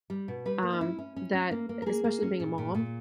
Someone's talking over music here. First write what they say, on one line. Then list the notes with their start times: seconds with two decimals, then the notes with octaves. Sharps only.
um, that, e especially being a mom,
0.10 G3
0.28 B2
0.46 G3 B4
0.63 A#3
0.72 D#4
0.81 C#4 E4
0.99 C#4
1.16 C#4
1.33 C#4
1.51 A#3
1.69 A#3
1.82 A#4
1.86 A#3 G#4
2.04 A#3
2.23 C#4
2.40 A#2
2.58 A#2
2.74 A#2